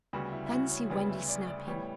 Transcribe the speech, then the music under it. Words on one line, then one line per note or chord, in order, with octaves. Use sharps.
Fancy Wendy snapping.
D2 C#3 G3 B3 F#4
E4
E4
F#4
C#5
D2 C#3 G3 B3 D5
E5
D5
D5
A2 G3 B3 C#5